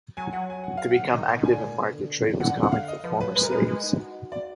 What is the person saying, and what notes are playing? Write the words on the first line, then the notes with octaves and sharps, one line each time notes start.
To become active in market trade was common for former slaves.
F#3 G#5
F#3 F#5
G#5
F#5
F5
F#5
D#3 D#5
B2
D#3
D3 G#5
A#2
B2
D3
D3 F#5
F#5
F5
D#5
F3 B4
F#3 B4
G#3 B4
A#4
G#3 B4
G#3
D#4
F#4
D5